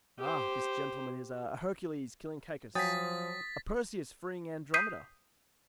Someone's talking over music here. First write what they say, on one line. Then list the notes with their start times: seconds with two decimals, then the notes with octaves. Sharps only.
"Ah, this gentleman is a Hercules killing Cacus, a Perseus freeing Andromeda."
0.19 G4 C5
2.75 F3 F#3 G5 G#5 D#6 A6 B6
4.74 D#6 G6 B6 C7 D#7